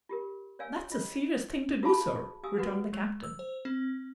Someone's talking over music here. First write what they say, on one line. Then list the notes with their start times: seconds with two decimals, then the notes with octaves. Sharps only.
"That's a serious thing to do, sir," returned the captain.
0.09 F4 G4 A#4
0.59 C#5 D5 F5 G#5 E6
0.92 F4 D#5
1.83 F4 F#4 G#4 F5 A5 B5
2.43 G4 F5 G#5 D#6 E6
2.58 F#4 G4 B4 F#5
2.93 G#3
3.23 E6
3.39 C5
3.65 C4